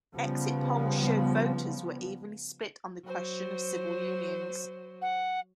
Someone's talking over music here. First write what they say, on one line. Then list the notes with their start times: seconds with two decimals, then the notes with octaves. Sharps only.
Exit polls showed voters were evenly split on the question of civil unions.
0.14 C#3 F3 G3 B3
3.06 F#3 C5
5.02 F#5